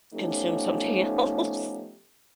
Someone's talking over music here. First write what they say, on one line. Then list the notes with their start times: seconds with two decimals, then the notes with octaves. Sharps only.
consume something else.
0.14 F3 A3 B3 C#4 D#4 G4